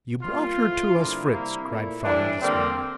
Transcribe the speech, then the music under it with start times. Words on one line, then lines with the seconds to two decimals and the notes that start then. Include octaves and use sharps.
"You brought her to us, Fritz," cried Frau Hildesmuller.
0.21 C3 G3 A#3 F4
0.57 A2 F3 A3
0.93 G2 D3 F3 A#3 E4
1.30 C3 G3 A#3
1.67 A#2 A3
2.03 A2 E3 G3 D4
2.39 D3 G3 A#3 C4